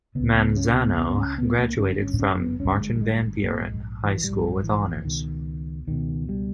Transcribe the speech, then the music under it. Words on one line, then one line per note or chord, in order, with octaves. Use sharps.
Manzano graduated from Martin Van Buren High School with honors.
C#2 C#3 B3
B3
C#4
B3
C#2 C#3 B3
C#4
B3
A#3
G1 G2 C#4
C#4
C#4
B3
G1 G2 C#4
G#3
G3
G#3
A#1 G#2 A#3
G#3
E3
A#1 G#2 G3
E3
C#2 B2 D#3
C#2 B2 D#3
G3